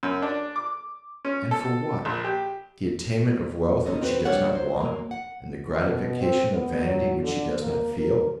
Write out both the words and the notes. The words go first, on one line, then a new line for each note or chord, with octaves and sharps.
And for what?-the attainment of wealth which she does not want, and the gratification of vanity which she does not feel.
F#2
D4
D6
C#4
A4
A#1
G4
D#2 F#3 C#4 A4 D#5
C4 F#4 B4 C5
G3 D4 C#5 F#5
F#3 C5
F#3 A#3
F#5
B2
C4
B3
F#3
D3
A#3
A#4